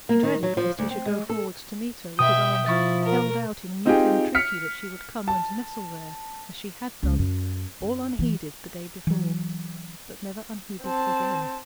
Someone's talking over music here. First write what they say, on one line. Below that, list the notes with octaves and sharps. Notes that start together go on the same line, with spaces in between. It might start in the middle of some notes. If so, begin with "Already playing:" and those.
He dreaded lest he should go forwards to meet her, with his arms held out in mute entreaty that she would come and nestle there, as she had done, all unheeded, the day before, but never unheeded again.
A#3
D#3
F#3
F3
D2
C4
G#3
A4
B2 E5 G5 D#6
F3 E4 C#6 F6 A6
A#4
C4 D#4 F4 G4 G#4 G5
F6 B6 C#7
A5
C#2 G3
F#2
F#2
E3
E3 F#3
C4 A5